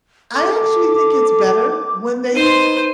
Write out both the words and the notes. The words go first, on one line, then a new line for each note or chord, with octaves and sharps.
I actually think it's better when they t
A4 D6
D#4 B4 C5 C6 D#7